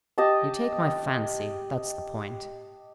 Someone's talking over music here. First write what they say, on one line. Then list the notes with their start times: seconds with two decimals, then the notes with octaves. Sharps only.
You take my fancy; that's the point!
0.18 G4 D#5 A5